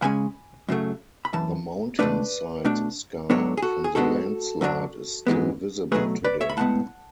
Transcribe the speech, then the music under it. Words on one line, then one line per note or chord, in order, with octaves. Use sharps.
The mountainside scar from the landslide is still visible today.
C#3 G#3 C#4 G#5 B5
F#2 C#3 F#3 A3
B5
F#2 E3 A5
C#2 B2 A3 D4 B4 D5
B2 A3 D4
G#2 F#3 B3 D4 A4 C#5
G#4
F#4 A4
G#4
G#2 G#3 B3 D4 F#4 A4
F#2 D3 F#3 A3 D4
G#2 E3 G#3 B3
B2 F#3 A3 G#4 B4
B4 D5
C#5 E5
B5
A2 G#3 B3 F#5 A5